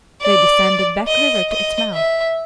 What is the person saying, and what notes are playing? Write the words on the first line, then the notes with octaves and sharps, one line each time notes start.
They descended Back River to its mouth.
D5
D#5
D#5
E5